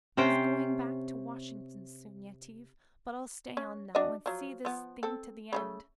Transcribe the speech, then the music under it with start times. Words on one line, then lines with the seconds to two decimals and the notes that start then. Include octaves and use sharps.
I was going back to Washington soon, Yetive, but I'll stay on now and see this thing to the end.
0.17 C3 C#4 C5 G5
3.57 C#4
3.95 D4 F#4 D#5
4.26 F3 F#3
4.65 F3 B3
5.03 C4 A4
5.53 C#3 G#3 A3